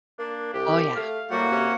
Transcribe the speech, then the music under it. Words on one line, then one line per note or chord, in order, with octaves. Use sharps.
Oh, yeah.
A#3 D4
C2 G4
A3 F5
A2 G3 A#3 F#4 F#5
C3 C#4